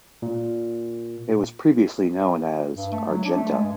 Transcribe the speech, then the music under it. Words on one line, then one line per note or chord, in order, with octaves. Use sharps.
It was previously known as Argenta.
A#2
G2
A3
F#3
D4
A3
G#3
G2